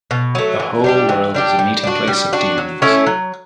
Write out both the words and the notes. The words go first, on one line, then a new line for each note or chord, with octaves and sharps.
The whole world is a meeting-place of demons.
B2
F#3 A3
E3
G3 D4 G4
E3
G3 D4 G4
G3
D4 F#4
G3
D4 F#4
F#3
A3 C#4 E4
F#3